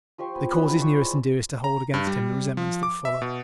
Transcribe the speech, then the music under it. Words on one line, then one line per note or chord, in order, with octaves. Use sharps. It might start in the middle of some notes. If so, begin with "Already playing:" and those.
They cause his nearest and dearest to hold against him the resentments that follow.
F3 G4 C6 C#6
B3 G#5
G3 B3 C#4
D4 E4 F4
C5 C#6
G#3 D5
A#5
G2
G3
F3
D6
E5
B2